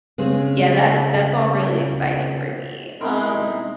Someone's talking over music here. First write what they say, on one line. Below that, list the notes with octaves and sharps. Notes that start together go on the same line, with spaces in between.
Yeah, that that's all really exciting for me. Um
C#3 G#3 B3 C4
B2 C4 D#4 E4 A#4 C6